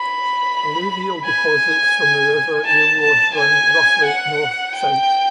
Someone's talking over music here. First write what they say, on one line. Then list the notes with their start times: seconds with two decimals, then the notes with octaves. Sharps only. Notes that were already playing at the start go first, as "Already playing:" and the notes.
Alluvial deposits from the River Erewash run roughly north-south.
Already playing: B5
1.25 G#5
2.65 A5
3.01 A5
3.35 G#5
4.05 F#5
4.75 G5